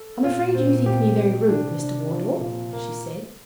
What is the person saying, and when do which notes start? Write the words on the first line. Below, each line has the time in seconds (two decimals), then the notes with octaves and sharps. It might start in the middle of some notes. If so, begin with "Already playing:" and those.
"I am afraid you think me very rude, Mr. Wardour," she said.
Already playing: A4
0.24 A#2 F4
0.55 C4
0.86 G4
1.17 G4
1.48 C3 D4
1.79 D4
2.11 F3
2.41 A#2
2.73 A#3